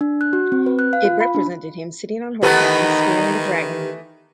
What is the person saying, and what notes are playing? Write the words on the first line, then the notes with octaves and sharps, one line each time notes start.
It represented him sitting on horseback and spearing the dragon.
D4
F#6
F#4
C4
B4
F#6
F5
F4
B5
D4
D#3 E3 A3 B3 D#4 G4 B4